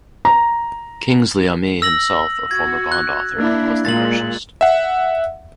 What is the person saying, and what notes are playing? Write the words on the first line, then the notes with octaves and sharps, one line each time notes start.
Kingsley Amis, himself a former Bond author, was the harshest.
A#5
E6 A#6 F#7
F#4 G#6
F#6
A#3 D4 E4
A#2 G#3 A6 F#7
E5 F#5